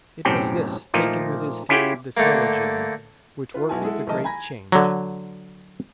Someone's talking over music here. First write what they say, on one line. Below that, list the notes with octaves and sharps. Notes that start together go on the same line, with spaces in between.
It was this, taken with his theory of the syllogism, which worked the great change.
B1 F#2 A2 C4 G4 G5
A#2 F3 A3 A#3 D#4
C#4 E4 F4 G4 F#5 G5
D3 A3 A#3
E4 F4 B4
B1 B3 E4 F#4 G#5 A5
G#3 E4 F#4 G#4 A4
B1 E3 A3 A#4 D#5 A5
G#5 A#5 B5 G#6 A#6
D3 F#3